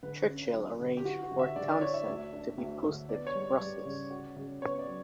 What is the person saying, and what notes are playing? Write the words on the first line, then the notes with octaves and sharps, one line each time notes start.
Churchill arranged for Townsend to be posted to Brussels.
D3 B4
C#4
F#3
D3
G4
E4 F#4
F#4
D3
E5
D3 D5
D5
E4 C#5
E5
D2
D4
D2
D3
B3 D5
C#5
G3
D5
G3 D5
C#3
F#4
C#3
B3 C#5
D5
F#3